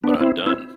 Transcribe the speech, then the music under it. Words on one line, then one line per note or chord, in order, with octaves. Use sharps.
But I'm done.
B3 D4
C4 E4
C4 E4